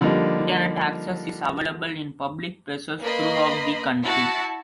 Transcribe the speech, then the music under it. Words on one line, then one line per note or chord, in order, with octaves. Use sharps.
Internet access is available in public places throughout the country.
D3 F3 G3 A#3 D#4
A#3 B4 D#5 B5 C6
E4 F#4 A5